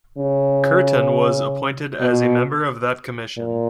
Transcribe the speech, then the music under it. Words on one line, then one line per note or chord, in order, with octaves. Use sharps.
Curtin was appointed as a member of that commission.
C#3
B2
A#2